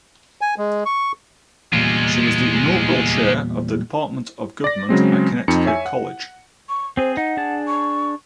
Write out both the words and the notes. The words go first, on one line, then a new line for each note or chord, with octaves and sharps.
She was the inaugural chair of the department of government at Connecticut College.
G#5
G#3
C#6
E2 A#2 G3 G#3 F4
D5 A#6
C#3 F#3 G#3 C4
F2 D#4 C#7
C#5 E5 G#5
F#5
C#6
C4 G#4 C5
D#4 F#5
D4 G#4 A5
C#6